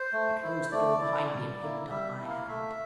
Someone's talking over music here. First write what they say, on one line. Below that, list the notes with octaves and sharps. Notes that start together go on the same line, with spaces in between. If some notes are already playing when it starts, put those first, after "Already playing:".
I closed the door behind me and held up my hand.
Already playing: C5
A3
E4
A3 D5
E4
G3
A#3 E4
G3 E5
A#3 E4
F5
A3 E5